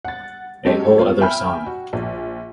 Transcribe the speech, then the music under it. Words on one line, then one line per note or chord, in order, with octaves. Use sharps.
A whole other song.
F#5 A6
F#3 G#3 C#4 G4 A4 C5
B3 C4 F4 C#5
E5 G5 G#5 B5 F6
F#4
A#1